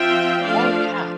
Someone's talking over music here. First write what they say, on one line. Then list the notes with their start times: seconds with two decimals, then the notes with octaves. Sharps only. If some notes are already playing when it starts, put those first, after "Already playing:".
Oh, yeah.
Already playing: F3 C4 F4 E5 G5
0.43 F3 A3 D4 F4 D5 F5